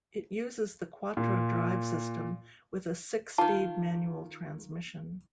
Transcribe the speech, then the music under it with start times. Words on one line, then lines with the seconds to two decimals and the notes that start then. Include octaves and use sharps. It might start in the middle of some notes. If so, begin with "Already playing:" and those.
It uses the quattro drive system with a six-speed manual transmission.
1.17 A#2
3.38 D#3 F4 A5